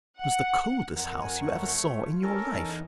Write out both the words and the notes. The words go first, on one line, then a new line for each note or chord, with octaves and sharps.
It was the coldest house you ever saw in your life.
F#5
F2 A#4 F#5
G#5
A3 C#5
F4
C#4 A4 A#4
E2 D#4